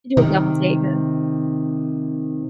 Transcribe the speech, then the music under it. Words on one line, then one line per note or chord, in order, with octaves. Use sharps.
Do a double taker.
C3 D#3